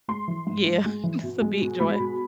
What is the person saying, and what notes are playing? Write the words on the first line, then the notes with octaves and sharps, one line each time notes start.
Yeah, just, a big joy.
G#3 C6
E3
G#2
G#2
G#3
E3
B2
G#3
B2
G#3 B5
B2